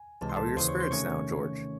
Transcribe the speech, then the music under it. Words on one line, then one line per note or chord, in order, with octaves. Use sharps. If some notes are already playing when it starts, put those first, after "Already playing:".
How are your spirits now, George?
Already playing: G#5
C#2 C3 E3 G#3 A5
C6
A4 A5
D#2 C#3 E3 C5 C6
C#5 C#6
C5 C6
C3 D#3 A3 C#4 C#5 C#6